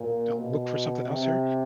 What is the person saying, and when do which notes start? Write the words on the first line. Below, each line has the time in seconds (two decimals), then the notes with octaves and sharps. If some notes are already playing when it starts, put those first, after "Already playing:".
you know, look for something else here,
Already playing: A#2
0.38 B2
1.07 C3